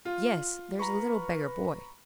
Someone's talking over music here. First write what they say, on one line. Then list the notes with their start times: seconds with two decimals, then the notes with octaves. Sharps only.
"Yes; there's a little beggar boy."
0.05 F4
0.79 B4 A#5 B5 C#6